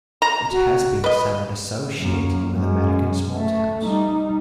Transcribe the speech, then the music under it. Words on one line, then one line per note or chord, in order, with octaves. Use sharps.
It has been somewhat associated with American small towns.
A#5
F#4
B4 D#5
F#2 A#3
F#2 G#3
A3
G3 D#4